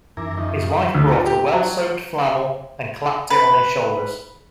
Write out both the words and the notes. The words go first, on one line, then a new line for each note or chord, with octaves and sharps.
His wife brought a well-soaped flannel and clapped it on his shoulders.
F#2 E3 D#4 A#4 D6 G#6
F2 D#3 D#5 E5
D2
A#2
G4
F#3
B4